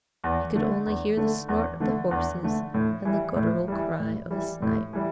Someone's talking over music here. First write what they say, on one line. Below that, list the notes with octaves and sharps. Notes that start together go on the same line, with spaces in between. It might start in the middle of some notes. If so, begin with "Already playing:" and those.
He could only hear the snort of the horses, and the guttural cry of a snipe.
E2
D3 A3
E2
D3 A3
E2
D3 A3
E2
D3 A3
A2
E3 G3
A2
E3 G3
A2
E3 G3
A2
E3 G3